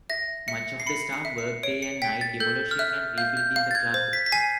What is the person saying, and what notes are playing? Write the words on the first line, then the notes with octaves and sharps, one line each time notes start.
Much of the staff worked day and night demolishing and rebuilding the club.
E5 A#6
E5 C#7
C7
B5 C#7
C#7
E5
C#7
C#5 D7
C#7
G5 B6
A6
A4 G6
F6
E5 F#6
F5 G6
G6
F5
A6
G#6
C5
B6
B6
G#5 C7